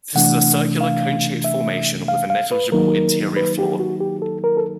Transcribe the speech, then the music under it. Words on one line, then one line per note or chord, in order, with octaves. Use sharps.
This is a circular, cone-shaped formation with a negligible interior floor.
C3 E3 A3 D4 F#5
F5
E5
F5
F5
B4
D#3 F#3 A#3 D#4 A#4
B4
G4
F#4
G4
A4
A#4
A4